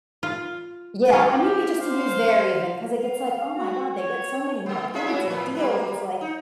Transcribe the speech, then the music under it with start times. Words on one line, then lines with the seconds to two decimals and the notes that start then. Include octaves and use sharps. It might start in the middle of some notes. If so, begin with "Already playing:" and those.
Yeah, I mean, you just to use there even 'cause it gets, like, "Oh my god, they get so many more points and deals." It's, like
0.23 F4
1.13 F3 C#4 F4 G4
1.81 C5 F5
3.01 F5
3.58 F#4
3.97 C#5
4.66 A3 B3
4.94 F4 G#4 E5
5.07 C#4 E4 F#4
5.27 A2 B4
5.55 G3 A#3 B4
6.21 D#4